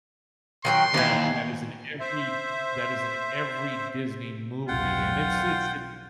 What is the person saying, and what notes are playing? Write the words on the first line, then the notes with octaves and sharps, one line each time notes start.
That that is in every that is in every Disney movie, and it's it's it's,
D#3 F#3 G5 C6
D#2 D#3 E3
C5 E5
B1 E2 F4 F#5 G5